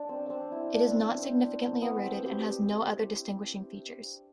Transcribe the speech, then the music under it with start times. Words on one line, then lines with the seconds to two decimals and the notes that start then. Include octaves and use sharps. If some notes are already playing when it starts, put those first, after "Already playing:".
It is not significantly eroded and has no other distinguishing features.
Already playing: D4
0.09 C4
0.30 C4
0.52 E4
0.74 D4
0.96 C4
1.18 C4
1.82 B3
2.04 C4
2.26 G4